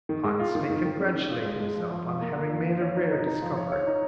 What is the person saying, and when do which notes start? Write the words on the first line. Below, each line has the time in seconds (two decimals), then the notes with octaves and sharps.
Hans may congratulate himself on having made a rare discovery.
0.09 D#3
0.24 G#3
0.39 F4
0.55 D#3
0.70 D#3
0.85 D#3
1.00 C#4
1.15 D#3
1.30 F4
1.45 G#3
1.60 G#3
1.75 F3
1.91 F3
2.06 F3
2.21 A#3
2.36 A#3
2.51 F3
2.66 F3
2.82 C#5
2.96 D#4
3.11 D#4
3.27 D#4
3.42 F3
3.57 C#5
3.72 C#5
3.87 D#4